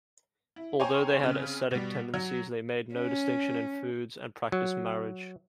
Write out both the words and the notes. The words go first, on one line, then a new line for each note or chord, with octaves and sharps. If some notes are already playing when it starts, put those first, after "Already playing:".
Although they had ascetic tendencies, they made no distinction in foods and practiced marriage.
E4
C5 C#5 G5 G#5 A#5 C#6
C#3 C4
B2 G3
F#3
C#4
F#3